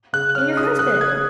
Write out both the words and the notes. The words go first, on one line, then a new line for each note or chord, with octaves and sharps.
And your husband?
C#3 F#6
C#4 F6
C#3 D#6
C#3 F#6
C#4 G#6